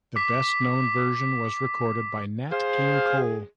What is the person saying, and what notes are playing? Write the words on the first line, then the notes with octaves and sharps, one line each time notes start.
The best-known version was recorded by Nat King Cole.
D6 B6
G#4 C5 F5